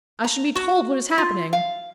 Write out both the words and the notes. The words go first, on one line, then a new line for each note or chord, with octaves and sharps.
"I should be told what is happening."
A#5
F#4
F4
F5